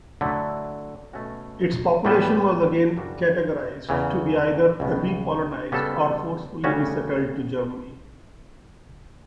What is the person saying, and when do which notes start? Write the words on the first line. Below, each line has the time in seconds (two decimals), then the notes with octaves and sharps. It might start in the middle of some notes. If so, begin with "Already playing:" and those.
Its population was again categorized to be either "re-polonized" or forcefully resettled to Germany.
0.21 D3 F#3 A3 E4
1.13 B2 A3 C#4 F#4
2.05 A2 E3 G3 B3
2.97 F#2 C#3 G3 D4 F#4
3.89 E2 C#3 E3
4.80 C#2 B2 G3 B3
5.72 C#3 G3 B3 F#4 A4
6.64 D2 C#3 G3 C#4 F#4